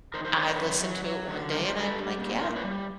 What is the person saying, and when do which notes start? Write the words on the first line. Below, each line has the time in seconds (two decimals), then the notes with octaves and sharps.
I listened to it one day and I'm like, "Yeah,
0.14 D#3 A#4 C5
0.25 A#4 C5
0.37 D#3 C5 D5
0.48 B4 C#5
0.59 F#2
0.82 F#3
1.05 F#3
1.27 D3
1.50 G2 A#4 C5
1.65 A#4 C5
1.73 G2
1.80 A4 B4
1.96 G3
2.18 A#2
2.40 A#2 A#4 C5
2.56 B4 C#5
2.64 G3